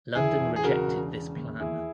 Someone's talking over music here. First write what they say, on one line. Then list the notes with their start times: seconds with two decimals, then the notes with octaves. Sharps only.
London rejected this plan.
0.15 E1 E4 G#4
0.40 E1
0.56 G#4
0.63 C#3 F#4 A#4
0.87 E1
1.12 C#3
1.36 D#2
1.59 E2 E4 G#4